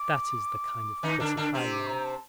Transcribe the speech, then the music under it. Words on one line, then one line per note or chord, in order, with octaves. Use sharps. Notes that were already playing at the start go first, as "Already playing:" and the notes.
That is the kind of critic I like.
Already playing: D6
D#3 D#4
D3 D4
D3 D4
C3 C4
D6
A#5
A5